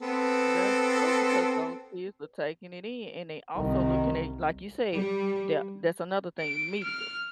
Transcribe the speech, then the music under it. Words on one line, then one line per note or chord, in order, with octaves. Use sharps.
That's true because those kids are taking it in, and they also looking at like you said, that that's another thing, media.
B3 C4 A4
C2 D#3
G3
D7
F6